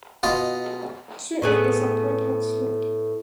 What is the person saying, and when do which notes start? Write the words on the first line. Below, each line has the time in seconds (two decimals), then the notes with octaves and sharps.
Two of the supports had slipped.
0.23 B2 F4 D#5
1.42 A2 B3 G#4